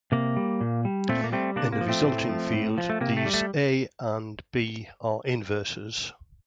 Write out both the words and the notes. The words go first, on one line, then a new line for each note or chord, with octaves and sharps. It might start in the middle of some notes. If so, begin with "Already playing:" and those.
In the resulting field, these "a" and "b" are inverses.
C3 A#3
G3
A#2
G3
A#2 A3 C4
A#3
G3 A3 C4
C3 A#3 D4
A#3
F3
A3 C4
A2
F3
A2
F3
A3
C3 A#3
A3
G3
A3